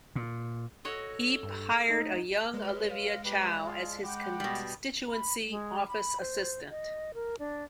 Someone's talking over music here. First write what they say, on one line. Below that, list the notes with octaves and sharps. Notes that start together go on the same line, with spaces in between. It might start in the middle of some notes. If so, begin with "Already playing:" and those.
Heap hired a young Olivia Chow as his constituency office assistant.
A#2
F#4 A4 C#5 D#5
G2
A3 D#4
G#3 B4 C#5
F5
F3 G4 B4 D5 F5
F4 G#4
F#5 G5 B5 D6
B2 G3
B5
G#3
B5
C5
D#5
A#4
D4